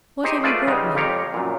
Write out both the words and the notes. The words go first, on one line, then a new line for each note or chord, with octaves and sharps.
What have you brought me?'
D#4 G4 G#4 C5 C#5 D#5
A3 F4 G#4 B4 C5 D5
C#3 G3 G#3 B3 D#4
F2 F3 G4 C#5 F5 A#5
F#2 A#2